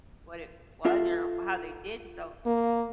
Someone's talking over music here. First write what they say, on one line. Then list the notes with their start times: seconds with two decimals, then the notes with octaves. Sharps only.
what it was or how they did, so,
0.85 F4 A4 E5
2.46 A#3